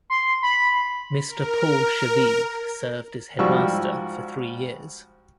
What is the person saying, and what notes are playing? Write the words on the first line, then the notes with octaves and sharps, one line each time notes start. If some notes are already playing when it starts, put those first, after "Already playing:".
Mr. Paul Shaviv served as headmaster for three years.
C6
B5
A#4
G#2 F3 G3 F#4 C#6 E6